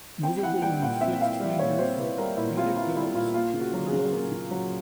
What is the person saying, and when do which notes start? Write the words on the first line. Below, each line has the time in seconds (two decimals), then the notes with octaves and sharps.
Movable and fixed finger of pedipalps are long.
0.23 C4 G5
0.43 E4 F#5
0.62 G3 G5
0.82 A#2 F#5
1.01 C4 E5
1.21 E4 F5
1.40 G3
1.59 A#2 C#5
1.79 C4 C5
1.98 E4 B4
2.18 G3 A#4
2.37 A#2 E4
2.57 C4 F4
2.77 E4 F4
2.96 G3 E4
3.15 A#2 F4
3.34 A#3 F4
3.54 C#3
3.61 F#4
3.74 F#3
3.86 G#4
3.93 C#3
4.12 A#3
4.32 C#3
4.51 F#3